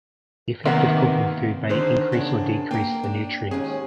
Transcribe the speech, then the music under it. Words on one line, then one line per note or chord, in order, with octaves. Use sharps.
The effect of cooking food may increase or decrease the nutrients.
C3 D#3 A#3 B3
D3 D#3 G#4 C5
E2 C#3 D4 A#4
A#3 A#4 G5
D4
D#2 G#2 C#4 G#4